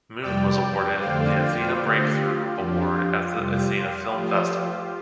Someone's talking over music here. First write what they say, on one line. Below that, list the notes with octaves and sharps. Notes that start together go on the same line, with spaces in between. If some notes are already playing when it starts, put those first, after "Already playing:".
Moon was awarded the Athena Breakthrough Award at the Athena Film Festival.
F2 C3 G3 D5 G5
F2 D3 A3 D4 A4 C5 F5
F4
D3 A3 F4 G4 C5
F4
F2 F3 D4 G4
F4
F2 C3 G3
F3 A3 F4 C5